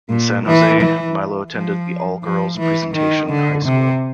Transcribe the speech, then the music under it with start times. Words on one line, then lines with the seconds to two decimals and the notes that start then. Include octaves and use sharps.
In San Jose, Milo attended the all-girls Presentation High School.
0.10 A#2
0.46 E3
0.81 E3
1.51 F3
2.23 F3
2.58 E3
2.94 D#3
3.30 D3
3.65 C3